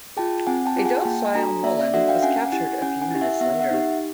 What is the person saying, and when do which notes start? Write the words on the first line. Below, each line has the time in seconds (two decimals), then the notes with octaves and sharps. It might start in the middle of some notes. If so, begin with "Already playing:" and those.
A "docile" Mullin was captured a few minutes later.
0.17 F4 G#4 G5 A5
0.47 C4 F#5 G#5
0.66 G5 A5
0.76 F4 G#4
0.85 F#5 G#5
1.05 A#3 G5 A5
1.35 D4 F#4 A4 G#5 A#5
1.64 A#3 D5 E5
1.79 D5 E5
1.94 D4 F#4 A4 E5 F#5
2.08 F5 G5
2.23 C#4 F#5 G#5
2.52 E4 G4 F#5 G#5
2.82 C#4 F#5 G#5
3.02 F#5 G#5
3.11 E4 G4
3.21 E5 F#5
3.40 B3 E5 F#5
3.60 E5 F#5
3.71 D#4 G4